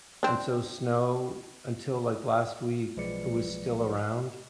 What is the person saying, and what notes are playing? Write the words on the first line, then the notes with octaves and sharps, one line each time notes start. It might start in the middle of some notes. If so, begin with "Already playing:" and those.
and so snow, until like last week, it was still around,
C4 D4
B1 F3 G#3 B4 D5 C#7